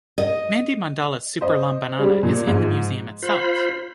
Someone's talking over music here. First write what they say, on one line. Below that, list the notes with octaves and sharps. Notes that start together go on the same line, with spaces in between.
Mandy Mandala Superlambanana is in the museum itself.
D#5
C5 D#5
G3 G#3
A#2 F3
G#2 F3
F4 C5 B5